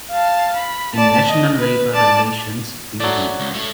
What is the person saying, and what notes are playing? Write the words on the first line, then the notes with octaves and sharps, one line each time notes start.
In National Labor Relations Bd.
F5 A5
B5
D5 A5
D#5
B4
D5 A5
F#3 A3 G#4 D5
C#2
A3 C#5